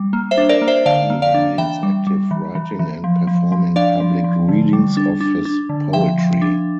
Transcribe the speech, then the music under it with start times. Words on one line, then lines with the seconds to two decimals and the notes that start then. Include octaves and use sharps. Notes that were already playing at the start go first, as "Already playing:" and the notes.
He remains active writing and performing public readings of his poetry.
Already playing: G3
0.13 A#3
0.31 C5 E5
0.38 D4
0.49 A#4 D5
0.62 A#3
0.68 C5 E5
0.86 D3 D5 F5
1.10 A#3
1.22 D5 F5
1.34 D4
1.58 E3 E5 G5
1.83 G3
2.07 G3
2.31 E3
2.55 E3
2.79 E3
3.04 F3
3.27 F3
3.52 F3
3.76 D4 D5 F5
4.00 F3
4.24 F3
4.49 D3
4.73 G3
4.97 D4
5.21 D4
5.45 D4
5.69 D3
5.93 F3 E5 G5
6.18 F3
6.42 D4